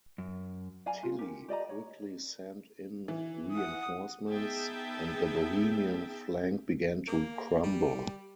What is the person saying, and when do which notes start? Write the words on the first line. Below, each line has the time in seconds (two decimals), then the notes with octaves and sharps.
Tilly quickly sent in reinforcements, and the Bohemian flank began to crumble.
0.18 F#2
0.86 D5 F5 G#5 A#5
1.03 F4
1.19 G4 A#4
1.48 G4 D5 D#5 A#5
1.69 C#5
3.08 E3
3.51 F#5 D#6
4.29 B3 D#4 G#4 E5 G5 A5
7.08 A#3
7.63 G3